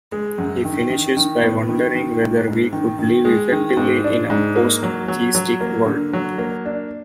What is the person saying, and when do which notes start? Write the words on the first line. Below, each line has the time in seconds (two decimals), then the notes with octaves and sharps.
He finishes by wondering whether we could live effectively in a post-theistic world.
0.12 G#3
0.38 F#2
0.65 D#3
0.90 D#3
1.17 D#3
1.43 B3
1.69 D#3
1.95 D#3
2.21 G#2
2.48 G#2
2.73 D#3
2.99 D#3
3.25 G#3
3.52 D#3
3.77 G#2
4.04 D4
4.30 G#2
4.56 A#3
4.83 F#3
5.08 F#3
5.35 F#3
5.61 A#3
5.86 D3
6.13 F#3
6.38 A#3
6.65 D4